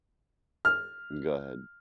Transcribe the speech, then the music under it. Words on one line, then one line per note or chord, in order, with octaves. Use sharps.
Go ahead.
F6